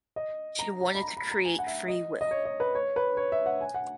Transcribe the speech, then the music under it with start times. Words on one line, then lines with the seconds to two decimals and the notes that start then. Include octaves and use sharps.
She wanted to create free will.
0.16 D#5
0.59 A#5
0.80 A#5
0.95 B5
1.02 A#5
1.17 B5
1.31 A#5
1.45 G#5
1.59 F#5
1.67 E5
1.88 D#5
2.21 D#5
2.31 C#5
2.45 D#5
2.60 B4
2.75 C#5
2.96 B4
3.17 C#5
3.32 E5
3.46 F#5
3.61 G#5
3.74 F#5